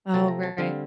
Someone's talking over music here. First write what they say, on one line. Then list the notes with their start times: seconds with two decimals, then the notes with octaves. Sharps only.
Oh, right.
0.14 C3 F3 A3 C4 A5
0.28 A#5
0.43 A5
0.58 D3 G3 C4 F5